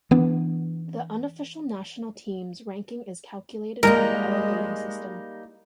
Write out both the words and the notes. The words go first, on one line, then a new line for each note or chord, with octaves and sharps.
The unofficial national teams ranking is calculated by the Elo rating system.
E3 B3 D4
G3 G#3 A#3 D#4 A#4